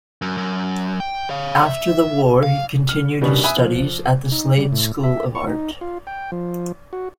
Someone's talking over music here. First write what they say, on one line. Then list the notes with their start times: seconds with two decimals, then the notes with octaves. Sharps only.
After the war, he continued his studies at the Slade School of Art.
0.22 F#2
0.37 F#2
1.00 G5
1.30 C#5 F5
1.66 E5
2.43 F5
2.89 F6
3.21 G2 B2 D#3 G3 B3 C#4
3.44 E5 G#5 B5 D#6 F#6
3.56 F3
4.32 D#4
4.57 G3
4.73 A2
5.04 E5
5.35 C#6
5.47 D#4
5.81 F4
6.07 G5
6.32 F3
6.93 F#4